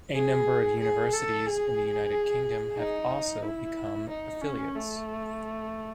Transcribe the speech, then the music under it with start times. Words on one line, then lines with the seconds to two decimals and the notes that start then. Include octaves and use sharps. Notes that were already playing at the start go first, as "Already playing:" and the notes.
A number of universities in the United Kingdom have also become affiliates.
0.14 G#4
0.80 G#4
1.13 A4
1.46 G#4
2.77 D#4
3.43 E4
4.08 D#4
4.42 C#4
4.74 A3